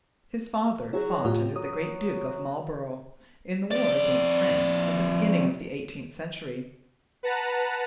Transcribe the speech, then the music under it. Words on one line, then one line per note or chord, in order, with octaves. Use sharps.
His father fought under the great Duke of Marlborough in the war against France at the beginning of the eighteenth century.
F#3 E4 G#4 C#5
A2 F4 G4
F#3 D#6
F2 D5
B4 F#5 A5 A#5